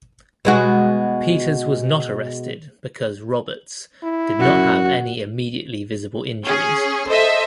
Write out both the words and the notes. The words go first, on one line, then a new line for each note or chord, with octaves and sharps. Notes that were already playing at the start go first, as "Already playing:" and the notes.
Peters was not arrested because Roberts did not have any immediately visible injuries.
B2 G#3 F#4
E4
F#2 F#4
C#4 G#4
A4 C5 D#5 E5